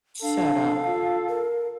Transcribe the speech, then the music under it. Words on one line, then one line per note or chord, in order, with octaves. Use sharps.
Shut up.
D4 A4 F5
F4
A#4